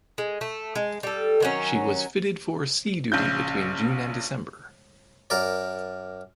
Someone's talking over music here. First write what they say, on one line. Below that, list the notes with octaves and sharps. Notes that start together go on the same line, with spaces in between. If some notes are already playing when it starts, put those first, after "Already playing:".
She was fitted for sea duty between June and December.
G#3
A3
G#3
G3 A4
D#3 F#3 C#4
A#1 C#3 G6
F#2 A#4 D5